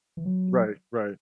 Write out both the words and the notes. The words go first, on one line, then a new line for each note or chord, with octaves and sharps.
Right, right.
E3
F#3